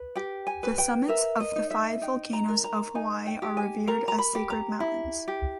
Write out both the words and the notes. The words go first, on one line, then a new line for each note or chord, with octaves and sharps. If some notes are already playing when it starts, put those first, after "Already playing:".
The summits of the five volcanoes of Hawaii are revered as sacred mountains.
Already playing: B4
G4 G5
G#5
B4
G5
A#4 E5
D#5
D#4
E5
D#4 G5
A#5
A#4
A#5
D#4 G#5
G5
G4
G#5
A#4 A#5
A#5
B5
G4
A#5
E4
G4